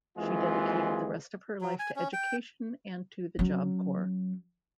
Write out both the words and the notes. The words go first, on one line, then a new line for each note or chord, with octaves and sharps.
She dedicated the rest of her life to education and to the Job Corps.
D#2 E3 G#3 C4 F4 G#4
F#3
G#5
C#4
G5
F#3 C#4